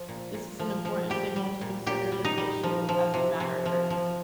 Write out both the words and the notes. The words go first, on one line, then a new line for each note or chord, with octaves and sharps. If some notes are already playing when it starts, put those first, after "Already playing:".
This is an important signal to consider this issue as a matter of urgency.
Already playing: F3
A#2
A#2
F3
F3
G3 G4
G3
A#2
A#2 G4
G3
D#4
G3
F3
F3
C3
C3
F3
F3